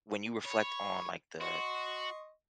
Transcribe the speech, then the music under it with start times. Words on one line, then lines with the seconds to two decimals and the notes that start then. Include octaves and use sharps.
when you reflect on, like, the,
0.45 C#5 B5
1.41 F#4 D#5 C6 C#6